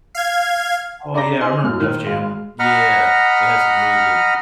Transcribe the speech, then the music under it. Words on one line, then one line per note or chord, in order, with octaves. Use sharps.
Oh yeah, I remember Def Jam. Yeah. They had some really good
F5 G#6
D4 D5 A#5 A#6 G7
D#5 G#5 C6
F#2 F6
A#2 D#3
G#1 G#3 F5
D#5 F#5 A#5 B5 F6